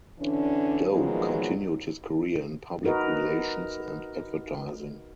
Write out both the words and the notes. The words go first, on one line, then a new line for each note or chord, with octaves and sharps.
Dow continued his career in public relations and advertising.
D3 E3 C#4 D4
A#2 D#3 F3 F#3 G#3 B3
D#4 F#4 A#4 B4 D#5